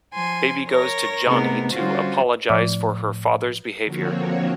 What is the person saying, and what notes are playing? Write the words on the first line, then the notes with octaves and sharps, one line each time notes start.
Baby goes to Johnny to apologize for her father's behavior.
F3 G#5 C6
A#4 C#5 A#6
C3 A3 B3 D#4 G#4 A#4
D3 G3 C#4 F4 F#4 C5
A2 F3
D3 F3 A#3 C4 F#4 C#5